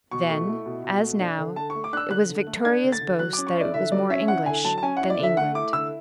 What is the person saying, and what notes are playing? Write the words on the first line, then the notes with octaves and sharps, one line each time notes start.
Then, as now, it was Victoria's boast that it was more English than England.
B2 C#6
A3 C#6
E4
B2
B2
A3
D4
D3
D3 A5
C#6
A3
D6
D4 E6 F#6
D3 F#6
D3
A3
D4 G#6
D3
A6
D3
F#3 F#6
D6
C#4
C#6
E4 D5
D3 E5
F#3 D5
C#4 E5
E4 F#5
D3 G#5
F#3 A5
A5
C#4 G#5
E4 F#5
D5
D3 E5
A3 F#5
E4 D6
D3 E6